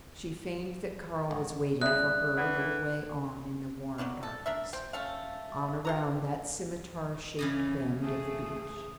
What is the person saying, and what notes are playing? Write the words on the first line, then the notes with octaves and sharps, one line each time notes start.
She feigned that Karl was waiting for her a little way on in the warm darkness--on, around that scimitar-shaped bend of the beach.
G#1
C2 C#3 D5 E5 D#6 F#6
E3 F#5
D#3 E3 F#3 G3
A4
D4 A#4 E5
C4 G5
A3 C#4 A4 F5
F4 A4 A#5
C#3 E3 C#4 D#5
A3 G#4 D#6